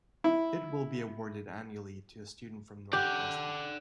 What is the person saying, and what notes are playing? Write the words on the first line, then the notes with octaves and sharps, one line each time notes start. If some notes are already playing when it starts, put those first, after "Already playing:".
It will be awarded annually to a student from North Preston.
E4
G4 D5 F#5